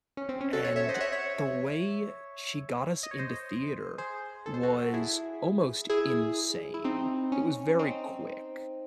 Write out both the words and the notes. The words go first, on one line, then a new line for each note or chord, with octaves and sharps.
and the way she got us into theater was almost insane. It was very quick.
C#4
C4
C#4
F#4 A4
A4 C#5
C#5 E5
C5 D#5
F#5
C#5 E5
C#5 E5
D#5
C#5
C5 D#5
G#4 C5
A4
C5
F#4 A4
E4 G#4
E4 G#4
E4
C4 D#4
C#4
C4 D#4